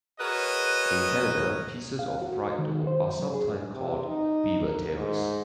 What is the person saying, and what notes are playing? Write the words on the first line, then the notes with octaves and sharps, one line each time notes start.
In Canada, pieces of fried dough are sometimes called beaver tails.
F#4 G#4 A#4 B4 C#5 D#5
F5
F#4
D#3
C5
F#3
G#4
C3
D#4
A#4
G#2